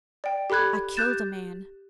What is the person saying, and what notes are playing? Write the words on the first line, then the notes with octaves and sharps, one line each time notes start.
I killed a man.
D5 G5
G4 A4 B5 F#6 G#6
G4 F#6 G6 A6 E7